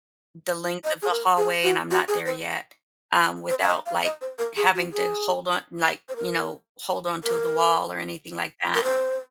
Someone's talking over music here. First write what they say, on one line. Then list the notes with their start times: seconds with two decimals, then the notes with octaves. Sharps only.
the length of the hallway- and I'm not there yet- um, without, like, having to hold on like, you know, hold on to the wall or anything like that
0.84 D#5
1.02 G#4
1.11 A#4
1.37 G#4
1.64 F#4
1.91 F#4
2.08 G#4
2.26 C5
3.50 C5
3.63 F5
3.68 D#5
3.86 F5
4.04 D#5
4.21 C5
4.39 A#4
4.57 G#4
4.75 F#4
4.92 G#4
6.09 C5
6.16 A#4
7.24 A#4
8.74 A#4
8.84 C5